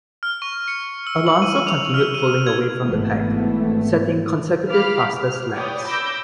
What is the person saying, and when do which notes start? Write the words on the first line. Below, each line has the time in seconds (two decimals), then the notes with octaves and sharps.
Alonso continued pulling away from the pack setting consecutive fastest laps.
0.23 F6
0.42 C#6
0.68 C#7
1.07 E6
1.27 F#7
1.42 D#7
1.67 F7
1.94 F6
2.14 D#7
2.47 G#6
2.84 G#1 E3 A3 B3
4.69 F5 B5 D6 F6 B6
5.16 F6
5.54 B4 C#5 D5 G5 D#6
5.87 B5 D6 E6 G6 A#6 D7